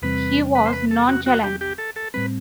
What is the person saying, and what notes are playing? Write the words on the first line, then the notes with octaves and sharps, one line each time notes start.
He was nonchalant.
E2 C3 E3 G3 C4 B4
B4
C5
B4
A4
F#4
F#4
G4
G4
A4
A4
A2 G3 C4 B4